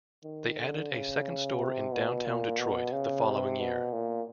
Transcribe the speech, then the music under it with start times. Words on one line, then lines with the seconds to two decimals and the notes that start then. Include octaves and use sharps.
They added a second store in downtown Detroit the following year.
0.24 D#3
0.58 D3
0.91 C#3
1.58 C3
1.92 B2
2.25 A#2
2.59 B2
2.92 C#3
3.25 C3
3.60 B2
3.93 A#2